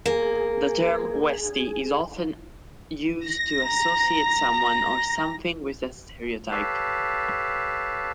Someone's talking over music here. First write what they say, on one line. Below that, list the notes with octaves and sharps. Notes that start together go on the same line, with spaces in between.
The term "westie" is often used to associate someone or something with a stereotype.
A#3 G#4
A#6
A#5
G4 A4 B4 C#5 F5 A5